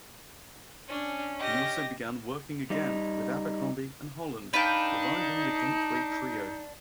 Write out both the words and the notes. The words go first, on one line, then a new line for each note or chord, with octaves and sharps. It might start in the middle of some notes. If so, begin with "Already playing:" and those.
He also began working again with Abercrombie and Holland, reviving the Gateway trio.
C#4 D4
G4 D#5 A#6
G3 D#4
D#4 B4 D5 F5 G5 A5